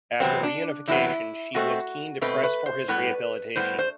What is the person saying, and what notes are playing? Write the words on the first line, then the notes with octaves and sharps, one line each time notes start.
After reunification she was keen to press for his rehabilitation.
E2 C3 F#3 B3 C4
D4
E2 C3 F#3 B3 E4
B2 A3 C4 F#4
B2 A3 C4 B4
B4
C5
A2 G3 B3 B4
A2 G3 B3 C5
C5